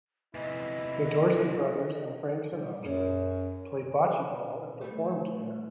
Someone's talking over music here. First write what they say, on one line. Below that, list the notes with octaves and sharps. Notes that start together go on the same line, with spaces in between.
The Dorsey Brothers and Frank Sinatra played bocce ball and performed there.
E2 C3 E3 E4 D#5
G3
F#2 C#4 G#4 A#4
G3 A3